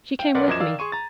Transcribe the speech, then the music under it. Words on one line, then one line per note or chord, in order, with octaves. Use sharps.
She came with me.'
F5 G5
B1 A#4 B4 D5 F#5 C6
F#2 F3 D#5 D6 G#6 E7
D#3 D5 F5 E6
G#4 C6 C#6 D#7
A#5 A6